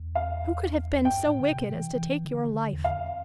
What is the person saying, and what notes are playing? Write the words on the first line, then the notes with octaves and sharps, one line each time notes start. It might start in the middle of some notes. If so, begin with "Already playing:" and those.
"Who could have been so wicked as to take your life?"
Already playing: E2
F5
G2 G5
A2
D3
C3
E3
E3
D3
D3
E2
F2 F5